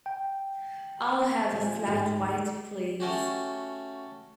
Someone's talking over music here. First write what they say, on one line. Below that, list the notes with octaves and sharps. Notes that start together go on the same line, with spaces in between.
I'll have a flat white please.
G5
F3 G#5
G#2 D#3 D#4 G4
A3 C#4 F#4 G4